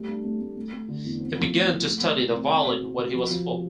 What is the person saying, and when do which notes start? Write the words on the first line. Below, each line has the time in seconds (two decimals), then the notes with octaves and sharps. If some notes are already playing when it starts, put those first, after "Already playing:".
He began to study the violin when he was four.
Already playing: G3 A3
0.08 D4
0.24 A3
0.40 A3
0.56 A3
0.73 A3
0.88 D3
1.05 E2
1.20 C4
1.37 F3
1.53 A2
1.70 A2
1.85 A3
2.02 A3
2.17 C2
2.33 C4
2.49 C4
2.66 B2
2.82 B2
2.98 B2
3.14 F3
3.30 F3
3.46 C3